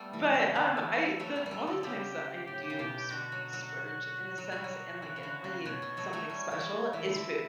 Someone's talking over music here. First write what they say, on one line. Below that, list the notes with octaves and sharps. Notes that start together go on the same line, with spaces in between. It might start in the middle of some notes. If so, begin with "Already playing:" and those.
But, um, I the only times that I do sp splurge, in a sense, and, like, get me something special, is food.
Already playing: G3 A3 B3 A4
E3
C#3
D3
E3
F#3 A3
G3
G3
F#3
D3
C#3 G4
A2
C#3
B2
D3 F#4
F#3
F#3
F#3 F#4
G3
F#3
E3
C#3
D3
C#3
B2 C#5
B2
F#3 A3
F#3 A3
G3
E3
F#3
E3 E5
D3
E3